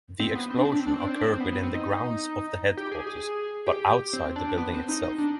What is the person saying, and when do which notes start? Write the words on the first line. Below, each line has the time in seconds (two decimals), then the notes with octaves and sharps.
The explosion occurred within the grounds of the headquarters but outside the building itself.
0.20 C4
0.35 B3
0.50 C4
0.57 D4
0.65 C4
0.72 D4
0.80 C4
0.86 D4
0.94 C4
1.01 D4
1.08 C4
1.16 D4
1.23 C4
1.33 C4
1.40 B3
1.53 B3
1.63 C4
1.74 D#4
2.77 G4
2.92 G#4
3.07 G#4
3.67 G4
4.13 C4
4.36 D4
4.58 B3
4.74 C4
4.88 D#4
5.03 D#4
5.18 D4